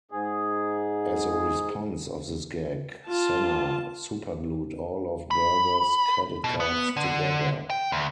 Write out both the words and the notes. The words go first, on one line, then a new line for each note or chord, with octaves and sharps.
As a response to this gag, Senna superglued all of Berger's credit cards together.
G#2 G#4
F4 A5
B5
B2
B3
D3
G5
D2